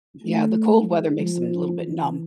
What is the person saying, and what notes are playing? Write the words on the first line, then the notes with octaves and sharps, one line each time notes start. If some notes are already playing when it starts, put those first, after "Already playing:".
Yeah, the cold weather makes them a little bit numb.
A3
G#3
F3
E3